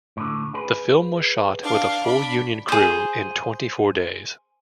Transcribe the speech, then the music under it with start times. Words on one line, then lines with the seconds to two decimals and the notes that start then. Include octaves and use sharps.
The film was shot with a full union crew in twenty-four days.
0.17 A2 D3
0.54 G#4 B4
1.61 D4 F5
2.03 D4 B5
2.69 G#4 C5